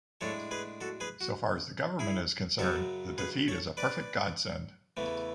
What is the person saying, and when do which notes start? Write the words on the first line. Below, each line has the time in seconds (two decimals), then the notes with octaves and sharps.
So far as the government is concerned, the defeat is a perfect godsend.
0.21 A2 G#3 D4 A4 C#5
0.51 G#4 B4
0.81 F#4 A4
1.00 G#4 B4
1.21 F#4
1.99 E4 G#4
2.59 F#2 C#3 F#3 F#4 A4
3.18 G#4 B4
3.48 A4 C#5
3.77 B4 D5
4.97 E2 C#3 E3 A3